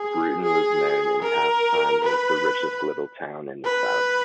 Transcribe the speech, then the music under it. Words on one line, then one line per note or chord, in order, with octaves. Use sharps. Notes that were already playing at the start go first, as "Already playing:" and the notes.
Brewton was known in past times as the richest little town in the South.
Already playing: G#4
G#4
A#4
B4
B4